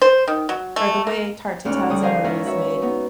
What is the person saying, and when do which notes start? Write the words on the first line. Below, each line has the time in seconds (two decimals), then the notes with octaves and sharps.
or the way tarte tatin's are always made
0.02 C5
0.28 D#3
0.49 F#3
0.76 A3
1.07 A#3
1.65 D2 G#2 C#4 D5 F6 F#6
1.90 D3 G3 D#6
2.01 G#4 A#4 C5 F5 G#5
2.24 G#2 D#3 C#4 E4 A#4 E5
2.45 F#4 B4 C#5 E5
2.82 B3 D#4